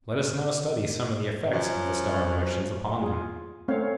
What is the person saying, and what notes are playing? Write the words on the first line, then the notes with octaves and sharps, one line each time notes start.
Let us now study some of the effects of the stellar motions upon them.
F#2 F3
F4 G#4
A3 C4 C#4 C#5 F5